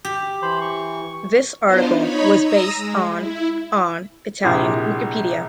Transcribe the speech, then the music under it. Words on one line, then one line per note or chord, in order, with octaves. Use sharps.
This article was based on on Italian Wikipedia.
G4
E3 C5 B5
C#6
B3 D4 D#4 F4 C5
D#4 C#5 B5
A#5 D#6 E6 A#6
G#3
E4
A#1 C3 E4 G#4 D6